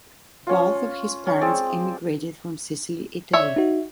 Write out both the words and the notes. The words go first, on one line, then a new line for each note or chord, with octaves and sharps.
Both of his parents emigrated from Sicily, Italy.
C#4 F4
C#4
G#3 C4 D5
C#5 D5 E5
D#4 F#4